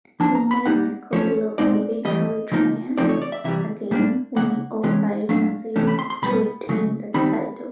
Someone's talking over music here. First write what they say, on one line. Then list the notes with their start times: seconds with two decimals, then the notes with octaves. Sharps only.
Bennett and Kopylova eventually triumphed, again winning all five dances to retain the title.
0.20 F3 A#3 D4 A5
0.35 A#5
0.51 B5
0.66 A#2 G3 A#3 D#4 F#5
1.13 F3 A3 C#4 C#5
1.58 B2 G#3 C4 D#4 D5
2.05 A2 E3 G3 D#5
2.52 C#3 F3 A#3 D#4
2.98 C#3 F3 A3 C4 D#4 D5
3.09 C#5
3.22 D5
3.32 E5
3.44 C3 E3 G3 E5
3.91 A#2 G3 A#3 D4
4.36 C#3 F3 A#3 F#5
4.83 C3 E3 G#3 C#4
5.29 A#2 F#3 A3 D4 F5
5.76 C3 E3 A3 C#4
5.87 B5
5.99 C6
6.10 C6
6.22 B2 G3 B3 B5
6.69 C#3 F#3 A3
7.14 D#3 G3 C4 D#4 B5